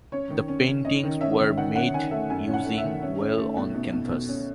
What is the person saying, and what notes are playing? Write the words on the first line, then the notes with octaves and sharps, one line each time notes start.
The paintings were made using oil on canvas.
C#4 C#5
D#3
C#4
C#4
C#4 D#5
D#3
C#4 E5
D#3
D#3 F#5
C#4 F#5
D#3 G#5
A3 E5
F#2 G#5
C#4
F#5
A3
E5
D#3
C#4
C#4
A3
B2
B2
B2
B2
C#4